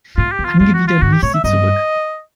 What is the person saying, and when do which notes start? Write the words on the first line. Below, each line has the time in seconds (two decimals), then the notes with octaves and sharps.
Angewidert wich sie zurück.
0.17 A2 F4
0.32 G4
0.39 E2
0.45 F4
0.59 F2 F4
0.74 F#4
0.87 F4
1.02 G#2 F#4
1.13 G4
1.23 A2 C#5
1.34 E5
1.44 G2 D#5